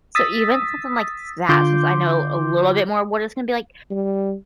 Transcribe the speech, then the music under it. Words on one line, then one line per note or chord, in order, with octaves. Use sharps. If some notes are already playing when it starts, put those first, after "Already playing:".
So even something like that, since I know a little bit more of what it's gonna be like
D#6 E6 A6 B6
D3 F4 C6 D6 G6
G3